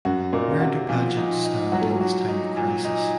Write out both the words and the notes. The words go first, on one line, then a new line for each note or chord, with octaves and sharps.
Where do pageants stand in this time of crisis?
F#2 F#4
A#2 D#4
C#3
C3 F#4
A#2 F3
D#4
D#4
F#3 F#4
A3
F#3
F#4
D#4
A#2
D#4